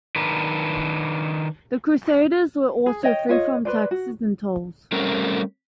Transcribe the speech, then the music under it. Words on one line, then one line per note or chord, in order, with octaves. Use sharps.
The crusaders were also free from taxes and tolls.
D#3 D4 A#4 B4
G#4
C#5 D#5 G5
F4 C#5 D#5
B4 C5 D5
F#4
G3 A3 C4 C#4 A#4